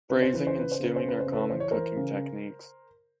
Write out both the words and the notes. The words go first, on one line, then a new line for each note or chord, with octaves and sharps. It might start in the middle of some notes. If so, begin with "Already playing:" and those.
Braising and stewing are common cooking techniques.
C#3 B4
C5
E3 B4
C5
C#3 B4
C5
C#3 B4
C5
C#3
B4
C5
C#3
A4 B4
E3 C5
C#5
E3 A#4 C5
C#3